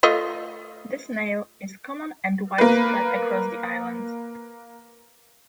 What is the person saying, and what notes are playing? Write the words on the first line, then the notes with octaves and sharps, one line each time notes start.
The snail is common and widespread across the island.
A3 F4 D#5
A#3 B4